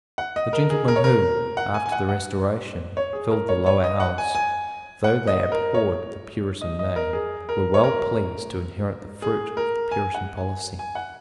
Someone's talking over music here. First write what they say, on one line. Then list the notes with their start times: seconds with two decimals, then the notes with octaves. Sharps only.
The gentlemen who, after the Restoration, filled the Lower House, though they abhorred the Puritan name, were well pleased to inherit the fruit of the Puritan policy.
0.18 F#5
0.36 D#5
0.53 A#4
0.70 G#4
0.88 A#4
0.96 C#5
1.04 A#4
1.57 F#5
1.74 G#5
1.86 G#5
1.92 F#5
2.09 F#5
2.97 C#5
3.13 G#4
3.31 A#4
3.49 C#5
3.66 C#5
3.84 D#5
4.00 F#5
4.18 G#5
4.35 G#5
5.04 F#5
5.27 D#5
5.52 A#4
5.74 C#5
6.61 D#5
6.79 D#5
6.96 A#4
7.13 G#4
7.49 A#4
7.74 C#5
7.84 A#4
9.22 G#4
9.57 A#4
9.91 G#5
10.14 F#5
10.37 G#5
10.79 G#5
10.95 F#5